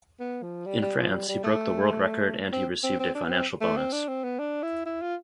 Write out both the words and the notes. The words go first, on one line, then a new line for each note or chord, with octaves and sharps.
In France he broke the world record and he received a financial bonus.
B3
F3
G3
G3
F3
G3
G3
A3
C4
C4
C4
D4
B3
C4
A3
C4
D4
C4
B3
D4
E4
E4
F4